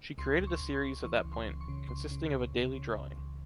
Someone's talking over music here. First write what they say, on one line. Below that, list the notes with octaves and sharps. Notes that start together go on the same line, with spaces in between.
She created a series at that point, consisting of a daily drawing.
C#2 C6
C#2
C#6
C#2
C6
C#2
E3 C#6
C#2
C6
C#2
C#6
C#3
C#2 C6
C#3
C#2
C#2
C#3
C#2
C#2